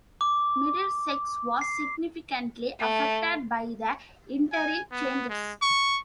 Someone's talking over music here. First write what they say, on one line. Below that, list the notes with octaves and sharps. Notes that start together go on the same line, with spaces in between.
Middlesex was significantly affected by the interim changes.
D6
C7
A3
G#5
B3
G#3
C#6